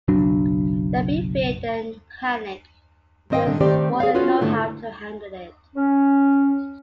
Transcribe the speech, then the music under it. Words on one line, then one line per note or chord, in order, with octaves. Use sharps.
There'd be fear, then panic: they just wouldn't know how to handle it.
F#1 B1 F#3 D4
G#2 D#3 C4 D#5 F5 G5
A#2 D3 G3
D#3 A3 C4 G4 C5 D5
G#4 C#5 D5 F5
C#4 F4 F#4 B4 C#5
G#2 D3 A3 E4
C#4